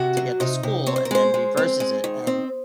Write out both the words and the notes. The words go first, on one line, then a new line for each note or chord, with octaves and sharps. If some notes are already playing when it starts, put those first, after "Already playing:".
to get to school and then reverses it and
Already playing: C3 F#4
F#3
C3 D#4
C3
C4 C#5
C5
A#4
G#3 C5
G#3
C4
G#3
D#3
C4